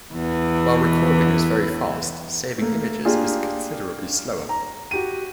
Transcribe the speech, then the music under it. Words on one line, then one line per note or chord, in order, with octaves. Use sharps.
While recording is very fast, saving images is considerably slower.
E2 E3
A3 A#3
A#3 D4 F4 G4 G#4
A#5
F#4 G4 D#7